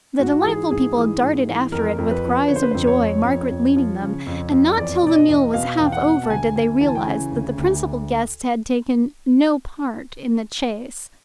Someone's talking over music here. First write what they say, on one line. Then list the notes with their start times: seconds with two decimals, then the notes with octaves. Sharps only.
The delightful people darted after it with cries of joy, Margaret leading them, and not till the meal was half over did they realize that the principal guest had taken no part in the chase.
0.20 G#2 F#4
0.45 E3 G#4
0.71 G#2 G#4
0.96 E3
1.21 G#2
1.48 E3
1.72 F2 A#4
1.98 F2
2.11 B4
2.24 F3
2.48 D3 C#5
2.56 C5
2.63 B4
2.71 F2 C5
2.87 C#5
3.00 F2
3.25 F2
3.51 F2
3.76 F3
4.01 C#3
4.26 F2
4.51 F2
4.77 E2 D5
5.02 B2 D5
5.15 D#5
5.29 E2
5.54 B2 F5
5.79 E2
5.85 G5
5.92 F#5
6.04 B2
6.24 A5
6.30 D2 G#5
6.56 D2 G#5
6.81 E3 A5
6.88 G#5
6.95 G5
7.03 C#3 G#5
7.32 D2
7.58 D2